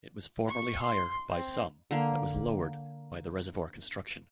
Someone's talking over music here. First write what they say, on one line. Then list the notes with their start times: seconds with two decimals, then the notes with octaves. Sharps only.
It was formerly higher by some but was lowered by the reservoir construction.
0.48 C#6
0.82 C6
1.30 C4
1.91 D3 A#3